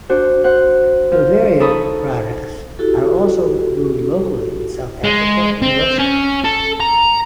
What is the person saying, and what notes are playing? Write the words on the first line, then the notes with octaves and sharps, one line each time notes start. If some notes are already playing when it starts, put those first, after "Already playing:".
Bavaria products are also brewed locally in South Africa and Russia.
D4 F#4 C5
C5 F#5
F3
D#4 A4 B5 C#6 D#6
E4 F#4 G4 A4
G#3
C4
C#4
A4
A#5